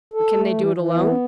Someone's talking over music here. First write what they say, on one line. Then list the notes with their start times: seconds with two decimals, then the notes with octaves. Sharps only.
"But can they do it alone?"
0.14 A4
0.34 A3
0.55 E3
0.75 E3
0.95 B3